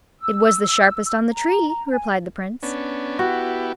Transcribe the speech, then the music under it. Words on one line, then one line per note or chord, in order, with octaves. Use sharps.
"It was the sharpest on the tree," replied the Prince.
E6
A#5
G#5
B3 C#4 D4
B3 E4 F#4 G4